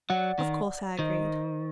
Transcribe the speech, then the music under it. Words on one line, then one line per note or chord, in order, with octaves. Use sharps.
Of course I agreed.
F#3 D5 F#5
D#3
D#3 C5 D#5